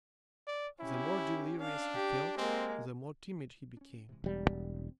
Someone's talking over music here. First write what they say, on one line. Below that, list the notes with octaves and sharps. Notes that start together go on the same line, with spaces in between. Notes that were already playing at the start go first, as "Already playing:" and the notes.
The more delirious he felt, the more timid he became.
D5
C#4 E4 G4
D4 F5
G4
G#3 A#3 C4
C#4 D4
C3 E3 G#3
E1 F#2 G3
D#1 C#2
C4